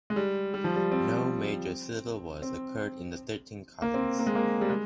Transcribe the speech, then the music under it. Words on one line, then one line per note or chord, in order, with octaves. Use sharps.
No major civil wars occurred in the thirteen colonies.
G#3
G3
G3
F3
G3
C4
C4
A#3
C4
A#3
G#3
A#3
G3
G#3